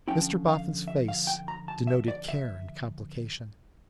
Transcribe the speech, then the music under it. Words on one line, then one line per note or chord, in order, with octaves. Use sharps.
Mr Boffin's face denoted Care and Complication.
D3 F3 C#4 E4 G5
F5
E5
F5
G5
A#5
A5
E5
D5
E5